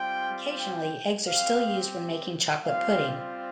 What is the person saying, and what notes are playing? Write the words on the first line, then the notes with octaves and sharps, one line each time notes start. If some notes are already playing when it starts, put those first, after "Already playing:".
Occasionally, eggs are still used when making chocolate pudding.
Already playing: G3 C4 F4 G5
G5
C4 G4 F5
G3 C4 F4 F5